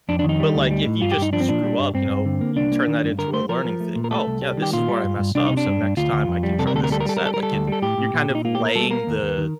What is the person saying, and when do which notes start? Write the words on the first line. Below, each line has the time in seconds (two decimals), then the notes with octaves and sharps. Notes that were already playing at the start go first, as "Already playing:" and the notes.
But, like, if you just screw up, you know, you turn that into a learning thing. Oh, yeah, this is where I messed up, so, next time I can try this instead. Like, it you're kind of laying the,
0.09 F2 D4
0.19 D4
0.24 D#3
0.29 D#4
0.40 G3
0.55 D2
0.71 G3
0.86 A2
1.01 G2 F4
1.12 G4
1.17 G2
1.22 D#4
1.33 F3 D4
1.40 C4
1.48 A#2 D4
1.63 G3
1.79 G2
1.94 G2 C4
2.10 G2
2.25 D3
2.41 A#3
2.56 C2 D4
2.72 A#3
2.87 D#3
3.03 G2
3.18 D3 A#4
3.33 A3 C5
3.49 F3 A#4
3.65 F3
3.80 A3
3.96 A#2
4.04 A#4
4.11 A3 A4
4.27 C2
4.42 G3
4.57 D#3 G4
4.73 A#2 F4
4.88 G3
5.04 G2
5.19 G2
5.35 C2 D4
5.46 C3 D#4
5.57 D4
5.66 G2
5.82 G2
5.97 D2 F4
6.13 D2
6.28 F2
6.43 G3
6.59 C3 A4
6.67 A#4
6.74 D2 A4
6.84 A#4
6.90 G3 A4
7.00 A#4
7.05 G3 A4
7.17 A#4
7.21 G3
7.26 A4
7.34 G3 A#4
7.43 A4
7.52 D2
7.67 G3 A4
7.82 A2 G4
7.98 A2
8.14 A#2
8.29 A#2
8.35 D#4
8.45 A#3 F4
8.55 G4
8.60 A#3
8.66 A#4
8.76 G3 A4
8.90 A#3 A#4
9.07 D#2
9.22 D#2
9.38 D#3